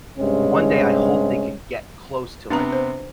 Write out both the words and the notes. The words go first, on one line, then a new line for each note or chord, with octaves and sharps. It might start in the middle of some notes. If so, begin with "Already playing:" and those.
one day I hope they can get close to, like,
G2 C3 G#3 C#4
C3 B3 D4 B4 A#5
C5